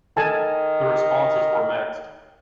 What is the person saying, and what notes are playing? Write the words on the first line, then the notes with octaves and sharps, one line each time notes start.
The responses were mixed.
D#3 A4 G#5 A5